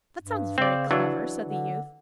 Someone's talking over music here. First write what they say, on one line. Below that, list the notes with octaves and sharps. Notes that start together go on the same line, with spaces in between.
'That sounds very clever,' said the youth.
G2
C#3 C4 D5
E3 F#3 D4
D3